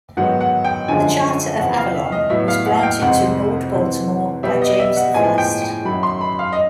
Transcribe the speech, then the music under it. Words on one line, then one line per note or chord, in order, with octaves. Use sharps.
The Charter of Avalon was granted to Lord Baltimore by James the First.
G#2 D#3 F#3 B3 F#5
F#5
G5
F#2 D3 F3 G#3 G#5
E2 C3 F3 F#5
F5
E5
D#5
A2 F#3 B3 E5
F5
F#5
G5
F2 C3 D#3 G#3 C4 F#5
C3 E3 G#3 C4
B2 G3 B3 E5
D#5
E5
F#5
A2 F3 G#3 B3 G#5
G5
G5
F#2 D#3 F#3 B5
C6
B5
F5
D#5